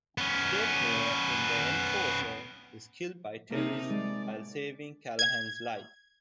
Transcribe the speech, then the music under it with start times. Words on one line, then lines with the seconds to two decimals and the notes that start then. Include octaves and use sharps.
Kate Moore in "The Enforcer" is killed by terrorists while saving Callahan's life.
0.18 B3 C#4
3.50 C3 A#3 D#4 A#4 A5
3.90 G#3 D5
5.19 G#6